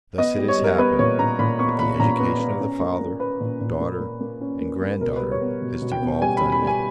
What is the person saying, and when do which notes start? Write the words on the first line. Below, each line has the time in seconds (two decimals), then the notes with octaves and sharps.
Thus it has happened, that the education of the father, daughter, and grand-daughter, has devolved on me.
0.18 B3 D#5
0.38 G3
0.48 C#5
0.58 G3
0.64 A#4
0.78 B3 B4
0.99 A#2 C#5
1.19 A#2 A#5
1.39 A#2 B5
1.59 B3 C#6
1.79 A#2 B5
1.99 A#2 A#5
2.20 B3
2.40 B3
2.60 C#4
2.80 A#3
3.00 A#3
3.20 C#4 B4
3.40 A#2
3.61 A#2
3.81 A#3
4.00 A#3
4.21 A#3
4.41 C#4
4.61 A#3
4.81 A#3
5.01 B2 A#4
5.16 G3 B4
5.31 C#5
5.41 B3
5.62 B2
5.82 B2
5.92 G5
6.02 B3
6.22 G3 G#5
6.37 B2 B5
6.52 B5
6.62 G3 G#5